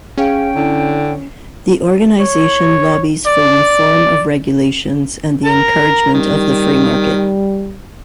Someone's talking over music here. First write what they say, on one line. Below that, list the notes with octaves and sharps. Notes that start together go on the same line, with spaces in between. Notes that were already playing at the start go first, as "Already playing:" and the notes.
The organization lobbies for reform of regulations and the encouragement of the free market.
C#4 G#4 F5 G5
D3 E4
C#5
D5
A#4 A#5
D#3 G3